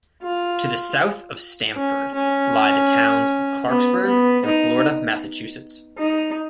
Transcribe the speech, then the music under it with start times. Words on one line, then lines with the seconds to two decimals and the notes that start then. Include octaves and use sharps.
To the south of Stamford lie the towns of Clarksburg and Florida, Massachusetts.
0.22 F4
1.76 C#4
2.15 C#4
3.68 B3
4.07 B3
4.45 D#4
5.98 D#4